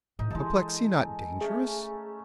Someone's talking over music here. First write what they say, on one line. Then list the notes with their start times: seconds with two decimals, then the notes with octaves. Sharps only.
"Apoplexy not dangerous?"
0.19 A1 A2 D#4
0.30 E3 G#3 D#4 E4 A4
1.41 A3 C#4 G#4